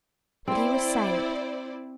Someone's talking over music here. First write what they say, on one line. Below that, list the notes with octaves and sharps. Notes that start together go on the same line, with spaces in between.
But he was silent.
C4 E4 C5 D5